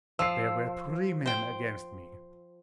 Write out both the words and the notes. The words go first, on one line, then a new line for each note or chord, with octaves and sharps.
There were three men against me.
F3 E6 C7
C5 G5